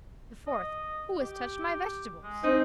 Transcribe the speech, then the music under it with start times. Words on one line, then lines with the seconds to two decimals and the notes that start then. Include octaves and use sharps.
The fourth, "Who has touched my vegetables?"
0.47 D#5
1.20 G4
2.23 G#3
2.43 C4 D#4